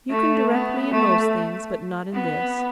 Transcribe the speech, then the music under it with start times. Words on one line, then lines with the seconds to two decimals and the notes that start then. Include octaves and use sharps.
You can direct me in most things, but not in this.
0.11 A3
0.51 B3
0.92 A3
2.13 B3